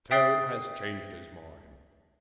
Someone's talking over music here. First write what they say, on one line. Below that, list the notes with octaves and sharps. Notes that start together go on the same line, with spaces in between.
Toad has changed his mind.
E5 G5 D#6 A6 C7